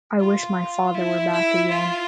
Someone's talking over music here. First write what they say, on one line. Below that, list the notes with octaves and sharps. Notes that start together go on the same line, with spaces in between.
I wish my father were back again.
F4
E4
E4
F4